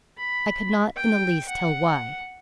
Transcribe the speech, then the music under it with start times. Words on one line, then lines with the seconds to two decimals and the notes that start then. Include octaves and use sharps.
I could not in the least tell why.
0.18 B5
0.96 G5
1.48 F#5